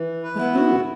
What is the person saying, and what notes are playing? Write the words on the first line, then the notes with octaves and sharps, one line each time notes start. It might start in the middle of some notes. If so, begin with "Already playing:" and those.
"But who?"
Already playing: E3
B4
B3 E4
F#4